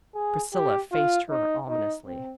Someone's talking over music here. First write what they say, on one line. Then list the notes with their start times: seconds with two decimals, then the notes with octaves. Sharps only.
Priscilla faced her ominously.
0.15 G#4
0.53 G4
0.92 F4
1.30 D#4
1.69 D#4
2.07 C4